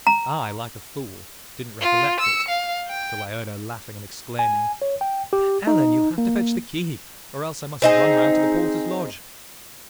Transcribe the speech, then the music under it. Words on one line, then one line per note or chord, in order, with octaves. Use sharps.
I, like a fool, didn't recollect that, till I heard her laughing and exclaiming--'Ellen! you'll have to fetch the key, or else I must run round to the porter's lodge.
A#5
F4
E6 C#7
F5
G5
G#5
C#5
G5
G4
D#4
A#3
C4 D#4 G#4